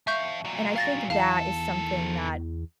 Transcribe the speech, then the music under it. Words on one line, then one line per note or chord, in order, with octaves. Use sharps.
and I think that is something that
F2 E5 F5 C#6 G6
A#2 F#3
F5 A6 A#6
E2 D#3 A4 F5